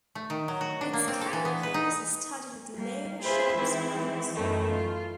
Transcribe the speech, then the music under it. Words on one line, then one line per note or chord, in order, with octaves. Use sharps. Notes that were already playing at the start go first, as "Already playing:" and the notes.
Its carapace is studded with long, sharp spikes.
A3
D#3
F#3
F#4
D4
A#3
C4
A4
E3
B3
B4
D#4
G3 A#3
F4 G#4 B4 C5 E5
G#2 E3 C4 E4
F#2 A2 D#3 E3 A3 B3
F4